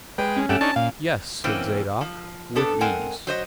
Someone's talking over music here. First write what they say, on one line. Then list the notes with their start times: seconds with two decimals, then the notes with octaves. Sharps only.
"Yes," said Zadok, "with ease."
0.18 G#3 B4 G5
0.36 C#4
0.49 G2 A3 C#4 G4 F#5 D7 E7
0.61 D4 D#4 C#5 A5
0.76 A#2 F5
1.44 B2 E3 A#3 C4 C#4
2.01 F3
2.55 A#2 B3 D4 A4
2.81 G#3 C4 A#4 F#5 G#5
3.27 F#3 C5 D#5